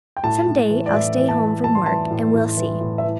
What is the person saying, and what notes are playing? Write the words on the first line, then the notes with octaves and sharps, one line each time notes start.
"Some day I'll stay home from work, and we'll see."
G5
A2 A5
A2
E3
D5
A2 E5
E3
A5
E3
A2 A5
C6
E3 A5
A2
A2
E3
A2
E5
E3